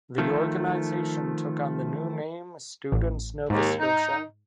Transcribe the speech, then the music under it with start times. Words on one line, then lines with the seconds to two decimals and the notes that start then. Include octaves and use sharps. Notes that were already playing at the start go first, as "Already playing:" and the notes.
The organization took on the new name, Students Nova Scotia.
0.18 D#3 F3 A3
2.92 A1
3.50 D#2 G#2
3.80 D#4